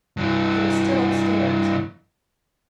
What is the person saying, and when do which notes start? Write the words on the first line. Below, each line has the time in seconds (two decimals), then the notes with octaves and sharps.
They were still upstairs.
0.17 G2 E3